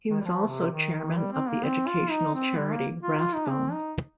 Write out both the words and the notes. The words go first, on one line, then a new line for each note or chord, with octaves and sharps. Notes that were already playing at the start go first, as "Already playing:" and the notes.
He was also chairman of the educational charity Rathbone.
D#3
G3
F3
C3
D#3
D#3
G3
C4
A#3
C4
F4
D#4
C4
G3
A#3
F4
F4
D#4
C4
D#4